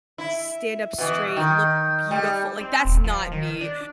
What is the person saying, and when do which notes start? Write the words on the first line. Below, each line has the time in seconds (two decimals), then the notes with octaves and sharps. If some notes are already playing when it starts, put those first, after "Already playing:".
stand up straight, look beautiful, like, that's not me,
0.18 E4
0.98 B2 E3
1.37 D#3
2.11 G3
2.61 C4
2.85 D#1
3.04 F3
3.32 D#3
3.61 D4